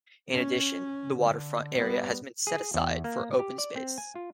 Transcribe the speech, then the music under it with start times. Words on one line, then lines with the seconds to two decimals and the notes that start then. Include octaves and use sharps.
In addition, the waterfront area has been set aside for open space.
0.32 C#4
1.18 D3
1.76 G3 B3
2.47 G#4
2.74 E2
3.04 A#3
3.39 G4
3.58 D5
3.76 C4
3.98 G#5
4.16 F4